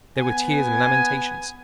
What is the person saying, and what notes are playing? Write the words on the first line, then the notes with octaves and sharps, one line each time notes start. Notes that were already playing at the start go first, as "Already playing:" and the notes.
There were tears and lamentations.
B3 G#5